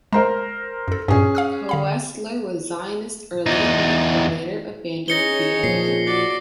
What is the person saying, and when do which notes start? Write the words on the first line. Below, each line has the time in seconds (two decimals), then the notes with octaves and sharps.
Koestler was Zionist early in life, but later abandoned the idea.
0.13 G#3 A#4 C5 A#5
0.88 F#2 A4
1.08 G2 A#2 C#4 G#4
1.35 F5 D#6 F6
1.69 D3 F5 B5
3.46 E2 D#4
5.08 C#4 D#4 G#4 C#5 A#6 C#7 G7
5.64 A#2 F3 C7
6.06 F#4 D5